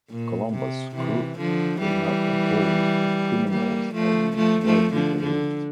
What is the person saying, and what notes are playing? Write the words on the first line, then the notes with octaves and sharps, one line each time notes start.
Columbus' crew was not composed of criminals as is widely believed.
A#2
C3
C3 E3
D3 F3
E3 G3
G3 A#3
F3 A3
F3 A3
F3 A3
D3 F3
D3